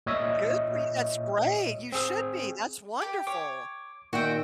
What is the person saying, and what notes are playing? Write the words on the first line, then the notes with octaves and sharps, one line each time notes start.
Good for you, that's great, you should be, that's wonderful.
A#2 C#5 D#5 E5 D#6
C4 G#4
G4
C#5 D6
A#2 D#3 F#4 E5 G5